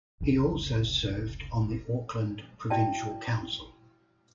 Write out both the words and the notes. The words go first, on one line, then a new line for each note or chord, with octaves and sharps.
He also served on the Auckland Provincial Council.
F1 C2 C#3
E4 F#4 D5 G5 A5